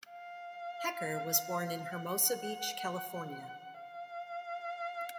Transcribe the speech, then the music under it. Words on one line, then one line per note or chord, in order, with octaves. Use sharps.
Hecker was born in Hermosa Beach, California.
F5
F#5
F5